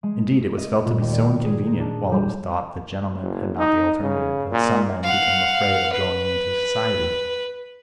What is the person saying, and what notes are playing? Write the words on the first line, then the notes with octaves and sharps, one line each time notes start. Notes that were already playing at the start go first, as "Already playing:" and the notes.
Indeed, it was felt to be so inconvenient while it was thought that gentlemen had not the alternative, that some men became afraid of going into society.
G#3
B6
D#5
A#2
D#2
D5
G#4
D#4
D4
G3
F#1
D#4
C#3
A#2
F5 F#5
B4